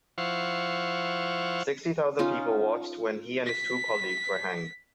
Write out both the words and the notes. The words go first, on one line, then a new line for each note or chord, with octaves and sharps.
Sixty thousand people watched when he and his two colleagues were hanged.
F3 E4 C5 F5 F#5 C#6
C#4 D#4 F4
B6